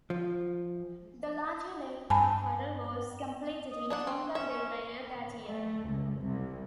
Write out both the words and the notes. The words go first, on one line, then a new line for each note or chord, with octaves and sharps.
The larger Lake Park Hotel was completed in Tonka Bay later that year.
F3
G2 G#5 A5 B5
D#5
D4 D5 F#5
C4
C#4 E5
C#4
A3
C#2
C2